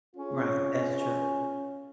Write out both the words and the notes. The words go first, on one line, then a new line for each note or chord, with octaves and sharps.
Right. That's true.
C#4 F4 G#4 C#5